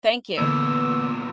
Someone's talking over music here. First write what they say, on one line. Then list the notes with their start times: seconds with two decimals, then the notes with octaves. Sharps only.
Thank you.
0.38 E2 A#2 D3 E3 A#3 B3 E6